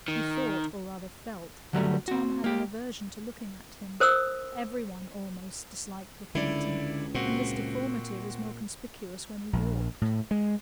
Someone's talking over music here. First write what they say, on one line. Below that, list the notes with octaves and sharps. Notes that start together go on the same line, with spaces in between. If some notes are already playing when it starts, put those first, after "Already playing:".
He thought, or rather felt, that Tom had an aversion to looking at him; every one, almost, disliked looking at him; and his deformity was more conspicuous when he walked.
D#3
D3 F#3 G3 A3
C4 F#4
A#3 G4
A#4 C5 D#6 E6
C#2 D3 E4 D5
A#2 C4 F#4
A#1
A2
G#3